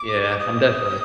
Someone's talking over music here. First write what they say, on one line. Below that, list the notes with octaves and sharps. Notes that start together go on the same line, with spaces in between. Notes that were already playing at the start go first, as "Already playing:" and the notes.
Yeah, I'm definitely
Already playing: D6
D#6